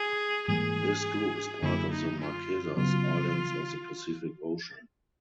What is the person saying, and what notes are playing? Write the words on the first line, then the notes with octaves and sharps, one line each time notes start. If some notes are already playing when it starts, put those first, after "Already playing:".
This group is part of the Marquesas Islands of the Pacific Ocean.
Already playing: G#4
G#2 E3 G3 A#3 G#4
F#2 D3 F#3 A#3 E4
D#4
F4
C#3 F#3 B3 F4